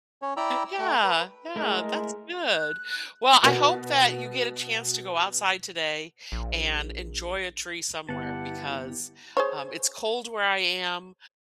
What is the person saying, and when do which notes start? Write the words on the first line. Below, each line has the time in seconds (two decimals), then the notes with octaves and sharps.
Yeah, yeah, that's good. Well, I hope that you get a chance to go outside today and enjoy a tree somewhere because, um, it's cold where I am,
0.22 C#4 C#5
0.37 E4 D5 G5 A#5 B5 E6
0.79 A3 G5
1.04 B4
1.56 G#3 A3 E4 A#4
2.53 F#6
3.43 B2 F#4 B4
6.32 A#1
8.09 G1 B3 E4 G4 F#5 A5
9.37 G#4 C5 C#5